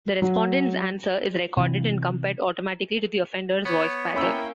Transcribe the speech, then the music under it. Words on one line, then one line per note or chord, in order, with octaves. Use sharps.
The respondent's answer is recorded and compared automatically to the offender's voice pattern.
F#3
C3 E3
B3 C#5
A#3 C#4 E4 C#5 G5 B5 E6